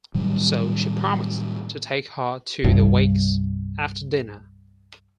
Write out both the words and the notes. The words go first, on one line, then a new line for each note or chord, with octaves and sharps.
So she promised to take her to the wakes after dinner.
A2 D#3 F#3 G3
C2 G2